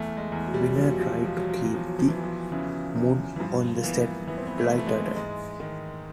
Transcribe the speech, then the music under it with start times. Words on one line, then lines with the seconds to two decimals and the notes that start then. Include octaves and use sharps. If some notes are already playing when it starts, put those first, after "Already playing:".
Winner tried to keep the mood on the set lighthearted.
Already playing: E2 A3
0.17 G#3
0.32 E2
0.46 F#3
0.54 G3
0.63 F#3
0.75 B2 F3
0.88 F#3
1.00 F3
1.13 F#3
1.20 B2
1.26 F3
1.37 F#3
1.49 F3
1.62 E2 F#3
1.74 F3
1.87 F#3
1.99 F3
2.08 E3 F#3
2.24 F3
2.52 C#3 E3
2.95 E2
3.36 E3
3.40 G2 F3
3.77 A#3
3.84 E3 B3
4.27 E3 B3
4.38 C4
4.47 B3
4.58 A3
4.72 E3
4.78 A3
4.87 G#3
5.16 G#2 G#3
5.60 D#3